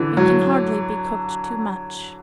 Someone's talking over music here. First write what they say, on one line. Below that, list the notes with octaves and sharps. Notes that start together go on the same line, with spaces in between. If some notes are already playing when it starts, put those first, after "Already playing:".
It can hardly be cooked too much.
Already playing: D3 E3
F#3